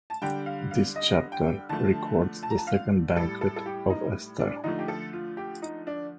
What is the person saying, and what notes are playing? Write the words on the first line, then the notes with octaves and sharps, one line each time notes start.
This chapter records the second banquet of Esther.
A5
D3 G3 G5
F5
F5
D#5
G5
D3 F3 A3 A5
A5
A#5
A5
F5
A2 G3 A4
A4
A4
G4
D#4
D4
D3 F3 A3 D#4
G4
A4
F4
G4
D#4
D4